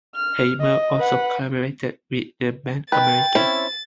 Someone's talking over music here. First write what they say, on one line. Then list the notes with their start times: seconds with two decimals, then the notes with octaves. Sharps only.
Haimer also collaborated with the band America.
0.15 F6
0.61 D#5
0.99 B4 F#5
2.92 D#3 B4 G5 A6
3.35 C4 C#4 E4